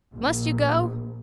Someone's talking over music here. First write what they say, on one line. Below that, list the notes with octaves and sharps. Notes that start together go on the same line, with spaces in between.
Must you go?
A#1